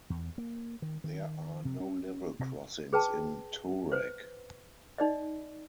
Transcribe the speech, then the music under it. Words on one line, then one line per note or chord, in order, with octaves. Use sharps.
There are no level crossings in Toorak.
E2
A#3
D#3
D#3
C3
C#4
C3
G#4 B4 G5 A5
B4 C5
D#4 D5 D#5